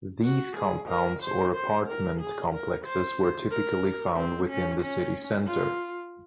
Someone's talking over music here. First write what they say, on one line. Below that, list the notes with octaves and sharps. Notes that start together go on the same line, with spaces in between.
These compounds or apartment complexes were typically found within the city center.
F#4
G#4
A#4
C5
C5
A#4
G#4
A#4
C5
A#4
C4
C#4
C#4
F4